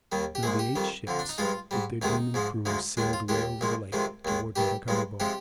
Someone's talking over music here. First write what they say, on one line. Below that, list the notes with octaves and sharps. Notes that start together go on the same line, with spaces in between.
Now the eight ships with their demon crews sailed away over the lake toward Maracaibo.
D#2 D#3 G3
G4
A#1 A#2 G#3 G#4
G4
F2 D#3 G3
F2 D3 F3
D4
D#4
G2 F3 G#3 F4
G#2 G3
D2 C3 D#3 G#3 D#4
G#2 F3 G#3
D2 D3 F3 G#3
D#2 D#3 G#3 D4
F4
D#2 D#3 G#3 G4
A#1 A#2 F3 G#3
F2 C3 D#3 G#3
D#2 D#3 G#3
G2 D#3 G3 G4
G2 F3 G#3
C3 F3 G#3 G4